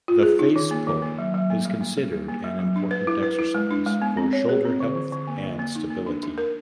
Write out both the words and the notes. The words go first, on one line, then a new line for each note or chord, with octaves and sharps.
The face pull is considered an important exercise for shoulder health and stability.
F4
G#4
D#4
D#3
A#3
D#3
A#3
F#3
F#3
A#3
G3
A#3
G3
G3
A#3
F#3
F#3
D4
B4
E4
B4
E4
G#3
D4
G#3
B3
C4
C#5
G#4
C4
D3
D3
D3
A#3
A#3
A#3
D#4
A#3
D4
D4
A#4